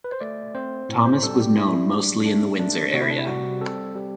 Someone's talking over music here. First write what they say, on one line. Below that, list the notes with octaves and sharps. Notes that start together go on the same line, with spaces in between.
Thomas was known mostly in the Windsor area.
B4
C5
A3 D5
C4 C5
A2
C5
G3 A4
F#4
G4
G3 E4
G3 D4
A3 D4
A3 D4
C3 F#4
E4
D4
E4
G3 F#4
C4 A4
G3 G4